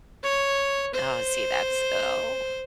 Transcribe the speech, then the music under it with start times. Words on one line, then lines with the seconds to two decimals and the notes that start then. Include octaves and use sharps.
Oh, see, that's Oh.
0.23 C#5
0.94 C5